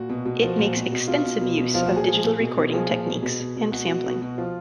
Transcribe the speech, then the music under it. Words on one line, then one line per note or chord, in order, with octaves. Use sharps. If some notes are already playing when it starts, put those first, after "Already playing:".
It makes extensive use of digital recording techniques and sampling.
Already playing: A#2 F#4
B2
B2
F3 F#4
A#2
B2
B2
B2 F4
B2
B2
B2
F3 F4
F#4
A#2 G#4
F3 G#4
A#2
B2
B2
F3 G#4
A#2
B2
B2
B2
B2
B2 F#4
B2
B2
B2
F3 F4